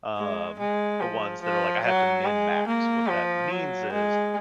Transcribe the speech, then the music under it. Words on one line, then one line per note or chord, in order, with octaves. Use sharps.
um, the ones that are like, "I have to mend max," what that means is,
G#3
G#3
F3
F3
F#3
G#3
A#3
F3
F#3
G#3